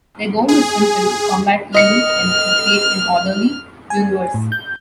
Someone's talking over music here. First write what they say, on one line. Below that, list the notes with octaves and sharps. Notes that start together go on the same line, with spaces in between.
Their goal was simple: combat evil and create an orderly universe.
G#4
D#5 F6 C#7
G#5
A2
G6